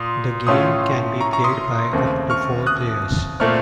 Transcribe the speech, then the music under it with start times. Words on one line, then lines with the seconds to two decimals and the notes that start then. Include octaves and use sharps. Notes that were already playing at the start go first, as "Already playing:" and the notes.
The game can be played by up to four players.
Already playing: A#2 C6 D#6
0.47 A2 A3 C#4 F4 C6 D#6
1.21 A#5 C#6
1.33 A#5 C#6
1.44 C6 D#6
1.93 D#2 C#3 A3 C4
2.30 C#6 F6
2.67 D#6 F#6
3.40 A#2 A3 C4 C#6 F6